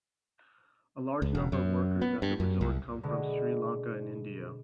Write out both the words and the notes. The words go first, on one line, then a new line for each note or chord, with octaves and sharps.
A large number of workers at the resort come from Sri Lanka and India.
C#2
E1
F#2
B3
G2
F#2
C2
B2 D3 G#3